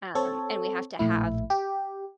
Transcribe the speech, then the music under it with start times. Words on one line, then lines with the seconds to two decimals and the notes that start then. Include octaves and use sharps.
um, and we have to have
0.15 C4 A4 C#5
0.99 A#1 A2 E4
1.50 G4